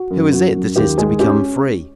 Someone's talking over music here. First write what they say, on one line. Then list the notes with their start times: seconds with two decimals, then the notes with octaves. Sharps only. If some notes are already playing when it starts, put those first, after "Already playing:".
Who is it that is to become free?
Already playing: F#4
0.10 F#2
0.32 F#2 F#4
0.54 F#2
0.76 D#2 G4
0.98 G#3 G#4
1.19 C#4 G4